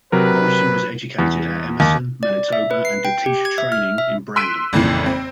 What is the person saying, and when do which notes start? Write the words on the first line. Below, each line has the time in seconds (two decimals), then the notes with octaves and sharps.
Morrison was educated at Emerson, Manitoba, and did teacher training in Brandon.
0.12 C3 F#3 A#4 B4
1.19 E2
1.80 D#2
2.23 D5
2.53 E5
2.71 B4
2.85 C7
3.05 G5
3.26 G4
3.45 G#6
3.58 E5
3.72 F6
3.98 E5
4.36 C6 E6 F#6 B6 D7 D#7
4.73 G#1 F2 A#2 C#3 E3 C7
5.06 C4